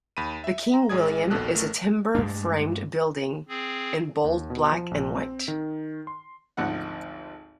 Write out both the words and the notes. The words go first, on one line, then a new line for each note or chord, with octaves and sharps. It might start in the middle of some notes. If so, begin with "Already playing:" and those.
The King William is a timber-framed building in bold black and white.
D#2 B5 D#7
E5
A#5
A1 G#3 G#4 D5 D#6 G#6
A#1 D#2 B2 A4 F#6
A1 A3 A#4
G2 G#3 A3 D4
C4 G#4
D#2
B2
F3
A#1
C4
D#3
C6
G#1 D2 F3 D#4 F#5